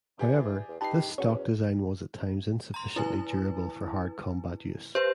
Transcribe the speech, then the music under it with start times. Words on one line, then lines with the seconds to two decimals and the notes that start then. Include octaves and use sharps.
However, this stock design was at times insufficiently durable for hard combat use.
0.19 E3 G4 G#4 D5
0.68 E2
0.81 D#4 G4 B4 A5 C7
1.18 E2 C#4 F#4 C#5
2.74 A#5 C6
2.96 E4 B4 G#5
4.95 G4 B4 C5